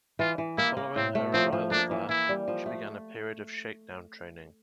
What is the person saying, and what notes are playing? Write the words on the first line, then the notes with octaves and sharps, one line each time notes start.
Following her arrival there, she began a period of shakedown training.
E3 F4
E3
A#3 E4
A#3
A2 C4
A3
F3 C4
F3
A#3 D4
E3
E3 E4
G3
F3
A3